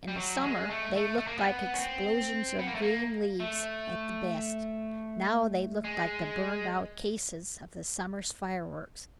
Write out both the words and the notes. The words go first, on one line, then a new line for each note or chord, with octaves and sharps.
In the summer they looked like explosions of green leaves at the best; now they looked like the burnt-out cases of the summer's fireworks.
G3
F#3
G#3
A3
A3
A3
A#3
B3
C#4
C4
B3
A#3
A3
A#3
A3
G#3